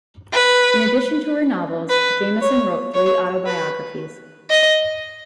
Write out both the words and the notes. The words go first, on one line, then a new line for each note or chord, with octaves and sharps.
In addition to her novels, Jameson wrote three autobiographies.
B4
B4
C#5
C#5
B4
D#5